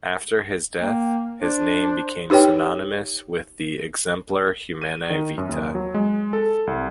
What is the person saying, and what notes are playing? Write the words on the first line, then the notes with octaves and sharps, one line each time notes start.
After his death, his name became synonymous with the "Exemplar Humanae Vitae".
A#3 G5
D4 C5
D#4 G4 B4 C#5 G5
D#7
D#3
F#2
D#2
F#3
G#3
A4
C2